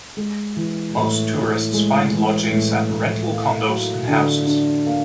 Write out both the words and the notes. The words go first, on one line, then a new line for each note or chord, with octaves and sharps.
Most tourists find lodgings at rental condos and houses.
G#3
E3
A2
A2
G#3
E3
A2
A2
A#3
F#3
D3
D4
A#3